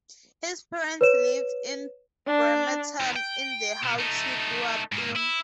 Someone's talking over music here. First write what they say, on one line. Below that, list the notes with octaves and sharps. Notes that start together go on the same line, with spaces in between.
His parents live in Bremerton in the house he grew up in.
B4 C#5 E7
D4
D#2
G5
B2
A3 D#4
G#2 A#3
E4